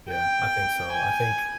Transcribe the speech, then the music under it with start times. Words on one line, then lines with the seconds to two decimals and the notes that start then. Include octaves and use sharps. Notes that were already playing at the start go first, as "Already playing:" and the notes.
Yeah, I think so, I think
0.10 G5
0.93 G#5